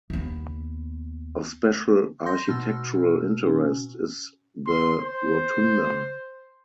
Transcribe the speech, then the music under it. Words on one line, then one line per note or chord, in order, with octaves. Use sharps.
Of special architectural interest is the rotunda.
D#2 B3
C6 G6 A#6
B2 E6 F6
C#4
C6
C5